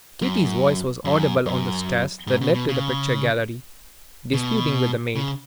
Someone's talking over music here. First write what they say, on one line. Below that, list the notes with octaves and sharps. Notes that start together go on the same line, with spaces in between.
Kitty's voice was audible on the stairs that led to the picture-gallery, disputing with the maid.
F#2
F#2
F#2
G#2
B2
B2
C#3
B2
C#3